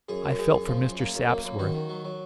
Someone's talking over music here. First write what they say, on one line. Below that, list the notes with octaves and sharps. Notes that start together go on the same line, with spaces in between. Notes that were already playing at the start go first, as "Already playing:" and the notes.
I felt for Mr. Sapsworth.
F#2 G#4
F#2
F#2 G#4
F#2
F3
F#2
A#3
F#2
A#3
F#2
D#3 F#4
D#3
F#3
F#3